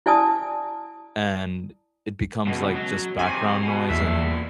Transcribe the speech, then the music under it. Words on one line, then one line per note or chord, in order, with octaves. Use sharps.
and it becomes, like, just background noise, and,
E4 D5 G#5 A5 D#6
C#2 B2
F#3
C3 D#3 G#5
B2
E2 A#2 E5 C7